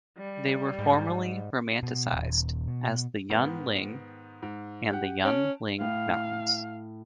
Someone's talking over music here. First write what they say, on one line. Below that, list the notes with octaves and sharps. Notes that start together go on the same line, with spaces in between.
They were formerly romanized as the Yun Ling and as the Yun-ling Mountains.
G3
G#2
B2
D#1
B2
G#2 D#3 B3
G#2
G4 F#5
C#4 A5 D7 F7
A2 F5